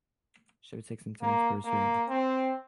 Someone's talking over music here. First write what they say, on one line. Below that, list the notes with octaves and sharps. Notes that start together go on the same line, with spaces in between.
She would take some time to persuade.
A#3
A#3
C4